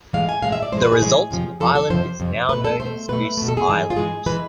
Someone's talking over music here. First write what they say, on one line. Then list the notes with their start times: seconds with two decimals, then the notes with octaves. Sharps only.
The resulting island is now known as Goose Island.
0.13 A2 E3 G#3 F5
0.29 G#5
0.42 A2 E3 G#3 F5
0.52 E5
0.63 D5
0.72 A2 E3 G#3 C5
0.82 B4
0.92 G#4
1.01 A2 E3 G#3
1.31 F2 C3 F3
1.60 F2 C3 F3 A4
1.75 A4
1.90 F2 C3 F3 C5
2.20 F2 C3 F3
2.49 B2 A3 B4
2.64 A4
2.80 B2 A3 C5
3.08 B2 A3 B4
3.37 B2 A3
3.48 A4
3.57 G#4
3.68 G#2 E3 G#3
3.90 F4
3.96 G#2 E3 G#3 G#4
4.26 E3 G#3 B4